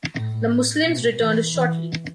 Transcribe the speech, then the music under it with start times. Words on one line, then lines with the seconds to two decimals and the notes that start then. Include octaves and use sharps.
The Muslims returned shortly.
0.15 A2
0.85 B2
1.19 E3
1.54 E3